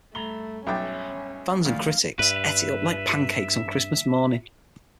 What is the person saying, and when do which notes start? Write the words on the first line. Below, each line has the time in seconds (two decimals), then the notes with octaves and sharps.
Fans and critics ate it up like pancakes on Christmas morning.
0.15 G2 A3 A#5 B5 G7
0.67 B1 C#4 E5 G5 D6 A6
1.65 D2 D#3 F3 F5
2.19 G2 B4 E5